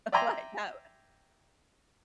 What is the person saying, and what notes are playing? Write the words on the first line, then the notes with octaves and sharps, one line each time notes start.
like, have
D5 E5 G5 G#5 A#5 C6